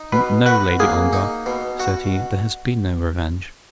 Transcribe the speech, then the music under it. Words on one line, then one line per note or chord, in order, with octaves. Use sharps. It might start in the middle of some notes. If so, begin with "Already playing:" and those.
"No, Lady Ongar," said he, "there has been no revenge."
Already playing: D#4
B2 B4
F#4 B4
A#3 G#4
D#4
B2
F#4